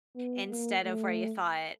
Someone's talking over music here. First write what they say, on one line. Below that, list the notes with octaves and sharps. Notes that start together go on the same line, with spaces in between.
instead of where you thought
B3
A#3
A3